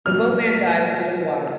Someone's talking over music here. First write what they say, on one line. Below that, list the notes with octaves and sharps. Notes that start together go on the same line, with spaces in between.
The boatman dives under the water.
A#2 F#3 A#3 F6